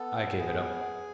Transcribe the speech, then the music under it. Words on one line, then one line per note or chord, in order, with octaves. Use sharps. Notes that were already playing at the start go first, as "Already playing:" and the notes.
I gave it up.
Already playing: B3 A4
B3 G#4